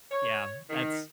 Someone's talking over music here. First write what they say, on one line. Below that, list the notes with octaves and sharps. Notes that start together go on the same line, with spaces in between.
Yeah, that's
C#5
D#3